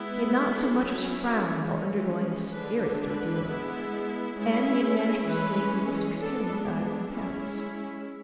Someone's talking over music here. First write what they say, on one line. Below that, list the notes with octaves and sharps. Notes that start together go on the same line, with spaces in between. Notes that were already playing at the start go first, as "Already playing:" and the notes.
He had not so much as frowned while undergoing the severest ordeals, and he had managed to deceive the most experienced eyes in Paris.
Already playing: G#3 B3 E4
A4
F#3 C#4 E4
E3 G#3 C#4
D3 G#3 D4 B4
B4
G#3 B3 E4
G#3 C#4 E4
E3 G#3 C#4 B4
G#3 B3 D4 A4
G#3 C#4 E4 G#4